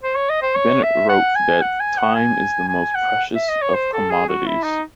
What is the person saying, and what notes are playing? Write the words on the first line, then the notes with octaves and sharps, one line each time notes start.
Bennett wrote that time is the most precious of commodities.
C5
C#5
D#5
C5
C#5
E5
F#5
G#5
F#5
G#5
F#5
G#5
G#5
F#5
E5
D#5
C#5
C5
A4
G#4
F#4
E4
D#4